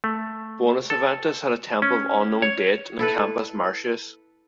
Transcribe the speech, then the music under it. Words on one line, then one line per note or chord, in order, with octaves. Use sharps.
Bonus Eventus had a temple of unknown date in the Campus Martius.
A3
A4
C#4
C#5
E4 A4 B4